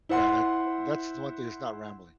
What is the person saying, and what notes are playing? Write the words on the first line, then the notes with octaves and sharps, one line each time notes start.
Yeah, that that's the one thing that's not rambling.
E4 C5 F#5 C6